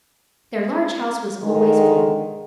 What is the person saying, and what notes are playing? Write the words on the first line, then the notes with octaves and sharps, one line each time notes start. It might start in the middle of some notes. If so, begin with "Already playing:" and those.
Their large house was always full.
G#2 D3 D#3 G#3